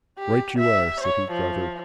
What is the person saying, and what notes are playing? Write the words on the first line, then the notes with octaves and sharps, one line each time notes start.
"Right you are!" said Hoopdriver.
G4
E5
C#5
F3